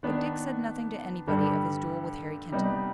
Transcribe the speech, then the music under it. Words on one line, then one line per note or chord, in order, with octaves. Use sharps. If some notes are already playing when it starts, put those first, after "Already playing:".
But Dick said nothing to anybody of his duel with Harry Kenton.
D#3 B3 D4
G2 D3 G3
C3 G3 B3 D#4